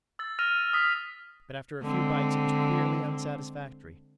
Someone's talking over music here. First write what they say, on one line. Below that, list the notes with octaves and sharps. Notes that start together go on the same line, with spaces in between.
But after a few bites, it was queerly unsatisfactory.
E6 A6
F6 A#6 D#7 F7
D#6 E6 B6
D3 G#3 C4